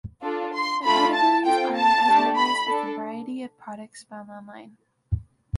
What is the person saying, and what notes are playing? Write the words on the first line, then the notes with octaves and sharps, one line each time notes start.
The categories are as numerous as the variety of products found online.
D4 F4 A4
C6
A3 D4 F4 A4 B5
A5
C4 F4 A4 G5
A5
A3 D4 G4
B5
D4 A4